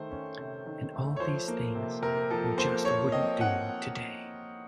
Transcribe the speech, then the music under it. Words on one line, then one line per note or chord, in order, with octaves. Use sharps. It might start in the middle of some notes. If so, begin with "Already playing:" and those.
And all these things you just wouldn't do today.
Already playing: D#3 A3 C5
C#4
C3
D#3
A3
C#5
F3 C5
A#3
C3
C3 A#4
F3 A4
A#3 C5
F3 C#5
C4 D#5
F#5